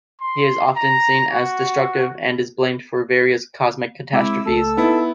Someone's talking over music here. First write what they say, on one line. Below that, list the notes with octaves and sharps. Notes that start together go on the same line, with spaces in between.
He is often seen as destructive and is blamed for various cosmic catastrophes.
C6
A#5
F#4
G#3 C4 E4 D6 E6
C#2 A3 A4
B3 D#4 E4